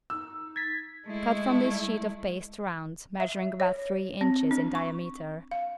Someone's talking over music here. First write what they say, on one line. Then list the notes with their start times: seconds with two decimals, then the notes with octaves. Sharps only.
Cut from this sheet of paste rounds measuring about three inches in diameter.
0.10 D#4 E6
0.56 G#6 A6 B6
1.07 G#3 A3 E4
3.20 E5
3.60 C#5
4.21 C4
4.51 D4
4.75 C#6
5.51 F5